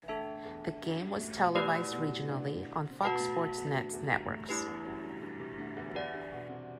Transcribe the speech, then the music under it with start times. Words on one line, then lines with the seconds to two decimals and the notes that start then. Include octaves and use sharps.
The game was televised regionally on Fox Sports Net networks.
0.03 E3
0.08 D2 D3 D4 A4 E5 A5
0.45 E2 E3
0.82 F#2 F#3
1.00 G2 G3
1.19 A2 A3
1.37 B2 B3
1.55 B2 A3 B3 E4 G4 B4 D5
1.92 B2 B3
2.29 D3 D4
2.90 C4
3.02 B2 B3 F#4 B4 F#5 A5
3.13 B3
3.20 A2 A3
3.38 A2 A3
3.57 E2 E3
3.75 D2 D3
3.93 E2 E3
4.11 G2 G3
4.30 A2 A3
4.49 G2 G3 A3 E4 G4 B4
4.66 E2 E3
4.85 F#2 F#3
5.03 G2 G3
5.21 G2 G3
5.40 C3
5.58 D2 D3
5.77 E2 E3
5.89 F#3
5.95 E2 E3 G4 D5 F#5
6.14 G2 G3
6.32 B2 B3
6.50 C3 C4